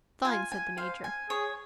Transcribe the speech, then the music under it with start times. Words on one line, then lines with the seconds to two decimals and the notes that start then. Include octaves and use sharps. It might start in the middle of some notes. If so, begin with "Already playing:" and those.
"Fine," said the Major.
0.25 F4 G#5
0.52 G#5
0.77 C5 F5
1.04 G#5
1.29 G#4 C#5